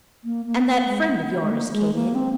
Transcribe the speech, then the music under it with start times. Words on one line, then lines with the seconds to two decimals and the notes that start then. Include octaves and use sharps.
"And that friend of yours came in?"
0.24 A#3
0.45 A#3
0.60 C4
0.66 A#3
0.79 A#3
0.88 G#3
1.42 G#3
1.51 A#3
1.72 G#3
1.94 A#3
2.15 C4